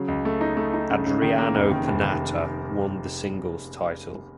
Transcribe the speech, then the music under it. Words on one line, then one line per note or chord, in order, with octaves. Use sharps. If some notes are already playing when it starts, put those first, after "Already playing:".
Adriano Panatta won the singles title.
Already playing: C#3 F#3
C#2
A3
D#4
A3
D#4
C#3
C#3
D#3
A#3
F1
D#3
F1
D#3